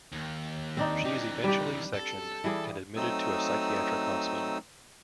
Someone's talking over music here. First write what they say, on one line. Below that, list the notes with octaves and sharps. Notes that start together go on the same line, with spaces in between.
She is eventually sectioned and admitted to a psychiatric hospital.
D#2 D#3
C4 D4 D#4
E3 D#4 G4
G3 G4
A4
E3 G3 G#4
F#3 A3 C4 D#4 D#6 E6